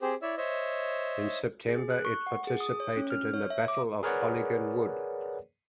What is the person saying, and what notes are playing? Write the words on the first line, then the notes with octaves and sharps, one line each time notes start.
In September it participated in the Battle of Polygon Wood.
C4 G4 G#4 C5
E4 C#5 D5 E5 E6
C5 C#5 D#5 E5
G#4
F#6
C#6
F#5
G#4
D#6
C#5
C#4
F6
C#5
E5
D6
G#4 A#4 B4 C#5 D5 F#5